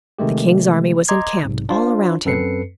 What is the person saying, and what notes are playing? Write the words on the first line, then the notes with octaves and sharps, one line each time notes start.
The king's army was encamped all around him.
C3 D#3 G#3 A3 G4
D#5 A#5 C6 D6 G#6
B1 G#2 C3
D4 F4 C5
F#2 C4 A4 B4 C7 C#7